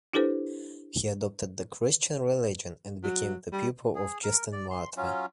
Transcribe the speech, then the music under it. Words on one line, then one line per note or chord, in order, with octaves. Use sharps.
He adopted the Christian religion and became the pupil of Justin Martyr.
D4 E4 G4 A4 B4 C5
F#3
G3
G#4
A#4
D5
C6
F#3 C#4 F4